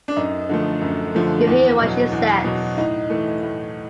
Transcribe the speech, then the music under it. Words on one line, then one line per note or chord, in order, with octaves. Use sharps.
You hear what she says.
D4
F#2 D#4
D3 F3 A3
F#2
D3 F3 A3
E2
B2 F#3
E2
B2 F#3
A2 D#4
E3 A3
A2